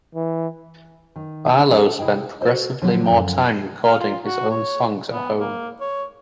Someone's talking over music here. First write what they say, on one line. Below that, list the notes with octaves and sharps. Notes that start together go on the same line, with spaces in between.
Barlow spent progressively more time recording his own songs at home.
E3
D#3
D4 G4 A4 C#5 D#5 F#5
C3 E4 G#4 D#5 G5
F#4 A4 C5 D#5
D3 F3 F#3 A4 C#5
F#2 D3 F3 F5 G5
F5
F4
F#4
C#5
B3
A#3
C#5